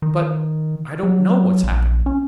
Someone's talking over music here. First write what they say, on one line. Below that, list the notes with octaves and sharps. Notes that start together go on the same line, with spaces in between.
"But I don't know what's happened."
D#3
F#3
A#1
C#4